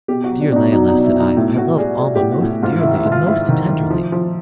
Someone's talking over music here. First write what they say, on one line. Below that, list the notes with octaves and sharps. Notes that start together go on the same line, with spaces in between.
"Dear Layelah," said I, "I love Almah most dearly and most tenderly."
B2 G4
F#4
F#3
D4
B2 D4 D#4
F#3 D#4
D#4
B2
E4
B2 D#4
A2 E4
A2 F#4
G3 G#4
G3 G#4
G4
A2
F#4
A2
G#2 F4
E4
D#3
E4
G#2
F4
G#2 E4
D#3
D#3
F3
F3